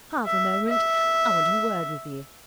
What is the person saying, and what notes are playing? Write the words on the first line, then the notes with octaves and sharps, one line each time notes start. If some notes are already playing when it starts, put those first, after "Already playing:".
Half a moment: I want a word with you.
E5
E5